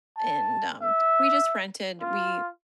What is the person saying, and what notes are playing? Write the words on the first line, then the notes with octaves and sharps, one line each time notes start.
and, um, we just rented we
A5
E5
F4